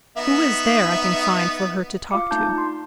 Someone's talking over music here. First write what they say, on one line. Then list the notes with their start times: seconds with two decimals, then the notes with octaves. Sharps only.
Who is there I can find for her to talk to?'
0.17 B3 D#4 E5
2.11 F4 F5 D6 C#7
2.31 A3 D4 D#4 A5 G6
2.58 C6